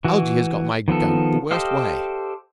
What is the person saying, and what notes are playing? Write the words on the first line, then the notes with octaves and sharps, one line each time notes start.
Algie has got my goat the worst way.
E3 F#4
D#3 F3 B3 A4
G4 A4 C5 D#5 F5